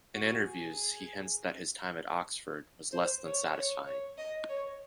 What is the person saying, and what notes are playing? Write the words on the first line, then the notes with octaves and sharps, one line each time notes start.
In interviews, he hints that his time at Oxford was less than satisfying.
F#4
G#4
C5
C#5
C#5
C#5
D#5
C#5